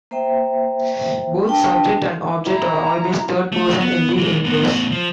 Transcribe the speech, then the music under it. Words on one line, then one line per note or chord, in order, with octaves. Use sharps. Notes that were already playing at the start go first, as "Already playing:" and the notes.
Both subject and object are always third-person in the inverse.
A#3 C5 E5 G5
D4 B4 G5 A5
E4 A#5
A3
B3
E3 G#3
A2 B3
F3